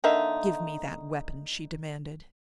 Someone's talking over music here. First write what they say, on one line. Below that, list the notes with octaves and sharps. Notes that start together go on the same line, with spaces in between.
"Give me that weapon!" she demanded.
D3 A#3 D#4 E5